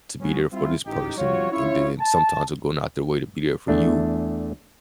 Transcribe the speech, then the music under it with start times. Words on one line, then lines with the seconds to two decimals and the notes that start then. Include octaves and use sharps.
to be there for this person, and then sometimes they're going out their way to be there for you,
0.21 G3 B3 C#4
0.52 G3 C4 E4 F4
0.86 A1 D#4 G4
1.17 F2 F3 G3 F4 F#4 C#5
1.52 C#4 E4 F4 C#5
1.99 A5
3.68 E2 A3 D4